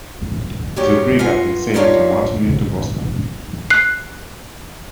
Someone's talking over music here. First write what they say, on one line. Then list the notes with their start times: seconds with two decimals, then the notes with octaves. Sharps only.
The brig had been sailing from Martinique to Boston.
0.76 F#3 G#3 B3 C#4 F#4 G4
1.19 B3 F4 D#5 F#5 G#5
1.74 A#3 D4 D#4 F4 G4 C#5
3.70 F#6 C7